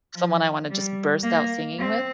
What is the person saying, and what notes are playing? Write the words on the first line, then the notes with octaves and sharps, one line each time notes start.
someone I wanna just burst out singing with.
F3
G3
A#3
C4